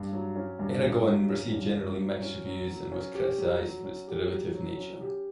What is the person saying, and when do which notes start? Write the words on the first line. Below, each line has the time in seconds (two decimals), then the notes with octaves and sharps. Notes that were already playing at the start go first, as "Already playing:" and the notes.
"Eragon" received generally mixed reviews and was criticized for its derivative nature.
Already playing: G2
0.12 F#3
0.36 C#4
0.59 G2
0.82 G2
1.05 F#3
1.29 C#4
1.52 G2
1.76 G2
1.98 F#3
2.22 C#4
2.45 F#3
2.68 F#3
2.92 C#4
3.15 G4
3.38 F#3
3.61 F#3
3.84 C#4
4.08 G4
4.31 F#3
4.54 F#3
4.78 C#4
5.01 G4